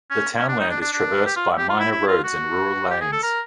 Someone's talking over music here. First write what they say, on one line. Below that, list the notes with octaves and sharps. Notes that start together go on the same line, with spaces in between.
The townland is traversed by minor roads and rural lanes.
C#4
C#4
D4
D#4
D4
D4
D4
G4
F4
G4
F4
E4
E4
F4
F#4
G4
G#4
A4
A#4